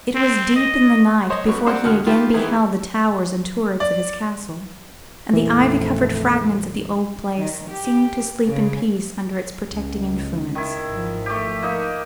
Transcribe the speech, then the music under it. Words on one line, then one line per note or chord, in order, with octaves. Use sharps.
It was deep in the night before he again beheld the towers and turrets of his castle, and the ivy-covered fragment of the old Place seemed to sleep in peace under its protecting influence.
C4
D#5
C5 C#5 D#5
F#2 B3 C#6
G3 C4 D4 C5 F#5 C6
D#2 B2 D3 F#5 F6
D#3 F4 G4 B4
D#3 E3 G#3 B3 E4
D5
A#1 F2 E3 A3
D#3
G4
C#3
C#2
D#3 E4
G#1 F3
A3 G4
A#3 D#4